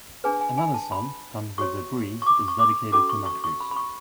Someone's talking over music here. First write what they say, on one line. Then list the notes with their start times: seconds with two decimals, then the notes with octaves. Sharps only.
Another song, "Gone With the Breeze," is dedicated to Mathews.
0.24 D4 G#4 B4 G#5
0.41 G#5
0.58 G#5
0.74 A5
0.92 B5
1.58 F#4 C#5 C#6
2.22 C#6
2.26 D6
2.48 C#6
2.59 D6
2.92 C#4 F#4 A4 D6
3.09 C#6
3.26 C#6
3.44 C#6
3.60 B5
3.71 B5
3.76 C#6